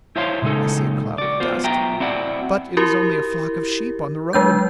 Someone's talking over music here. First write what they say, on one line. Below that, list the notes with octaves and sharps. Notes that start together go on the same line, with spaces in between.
"I see a cloud of dust, but it is only a flock of sheep on the road."
E4 C5 C#5 E5 F5 C6
A#2 C#3 G#3 D#4 A4
F#4 D5
B3 F4 C5
B1 B2 F#4 E5 G5 A#5
C4 E4 F#4 D5 F#5
E4 F#4 G4 A#4
F#3 G#3 D4 G6